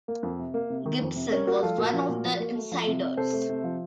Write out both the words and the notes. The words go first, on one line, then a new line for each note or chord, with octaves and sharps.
Gibson was one of the insiders.
A#3
F2
C3
A#3
C3
D#3
F2
C3
C#4 A#4 C#5
A#3 F#4 A#4
F3 F4 A4
A#2 F#4 A#4
F3
A#2
F3
A#3
A3
F3
C3
C3
C3 A4 C5
A3
C3
F3